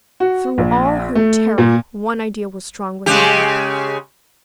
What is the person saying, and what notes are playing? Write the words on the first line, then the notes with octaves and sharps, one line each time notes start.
Through all her terror one idea was strong within her.
F#4
A#1
A3
A#2
C#3 G#3 G4